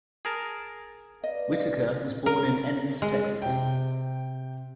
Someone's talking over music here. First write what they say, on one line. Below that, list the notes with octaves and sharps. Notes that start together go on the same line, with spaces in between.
Whitacre was born in Ennis, Texas.
G#4 A#4 A5
B4 D5 D#5 F5
A#4
G#3
C3 G5